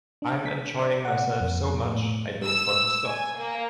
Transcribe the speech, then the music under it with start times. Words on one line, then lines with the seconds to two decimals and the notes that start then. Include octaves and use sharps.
I'm enjoying myself so much I don't want to stop.
0.22 D4
0.46 B6
0.82 D5
1.05 F#5
1.41 F2
1.86 A2
2.45 E6
3.06 G#5
3.38 A#3